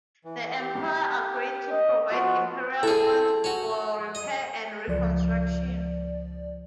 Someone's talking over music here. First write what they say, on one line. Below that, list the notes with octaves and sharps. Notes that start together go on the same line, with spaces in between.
The emperor agreed to provide imperial funds for repair and reconstruction.
E3
G4
D#5
F3 B3 F4 F#4
E4 G#4 A4
C#4 F#4
D#5 D#6
C#2 F3 D5